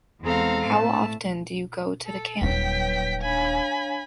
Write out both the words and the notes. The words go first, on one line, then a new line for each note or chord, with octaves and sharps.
How often do you go to the camp?
E2 G#3 C4 A4 F5 A#5
A2 A3 A5
A4
D#1 F#3 D#4 B4 C#5 G5 B6
D4 C#5 F5 G#5 B5